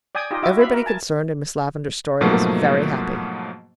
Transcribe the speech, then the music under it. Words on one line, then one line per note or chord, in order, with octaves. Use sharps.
Everybody concerned in Miss Lavendar's story was very happy.
D5 G5 G#5 D#6
D#4 F4 G4 D#5
E4 F#4 D#5 E5 D6
B4 E5 F5 B5
A#4
G#5 A5
G#2 B2 F3 F#3 A3 A#3